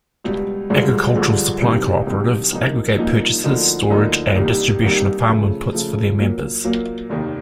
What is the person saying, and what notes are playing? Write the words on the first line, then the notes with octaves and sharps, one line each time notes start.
Agricultural supply cooperatives aggregate purchases, storage, and distribution of farm inputs for their members.
C#2 B2 G3
G#1 G2 D3 F3 G#3
G#1 G2 D3 F3 G#3
C2 C3 D#3 F#3
C2 C3 D#3 F#3
C2 A#2 F3 A#3 D#4
C2 A#2 F3 A#3 D#4
D2 D3 F3 A#3 D#4
D2 D3 F3 A#3 D#4
C2 C3 D#3 G3 A#3
C2 C3 D#3 G3 A#3
C#3 F3 A3
C#3 F3 A3
A#2 F#3 A#3
A#2 F#3 A#3
F1 D#2 D#3